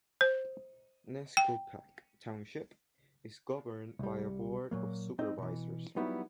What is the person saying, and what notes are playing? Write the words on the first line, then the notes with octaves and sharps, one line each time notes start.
Nescopeck Township is governed by a board of supervisors.
C5
G5
C2 G3
A#2 F#3 A#3
C4 D#4 D#5
B2 E3
F#3 G3 B3 D#4 E4 F#4